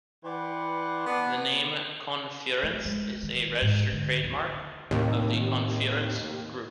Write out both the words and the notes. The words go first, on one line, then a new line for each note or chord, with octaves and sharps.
The name ConFurence is a registered trademark of the ConFurence Group.
E3 B4 D5 F#5 G5 C6
B3 D4
A3
G#3
D#3
G#2
D3
D#2
D#2 A2 C3